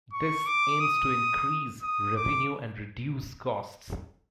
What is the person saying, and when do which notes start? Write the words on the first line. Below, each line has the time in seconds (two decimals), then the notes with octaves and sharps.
This aims to increase revenue and reduce costs.
0.13 C#6
0.46 D6
0.80 D#6
1.82 D#6
2.16 D6